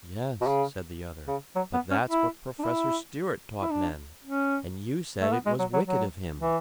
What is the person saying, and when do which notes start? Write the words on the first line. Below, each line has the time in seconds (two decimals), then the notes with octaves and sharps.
"Yes," said the other, "but that's what Professor Stewart taught men. And you said it was wicked of him."
0.41 B2
0.47 C#3
1.28 C#3
1.56 F#3
1.73 B3
1.91 C#4
2.10 E4
2.59 D4
2.64 E4
3.61 E4
3.71 D4
4.24 C#4
5.21 A3
5.32 B3
5.46 G#3
5.59 F#3
5.74 F#3
5.87 F#3
6.40 E3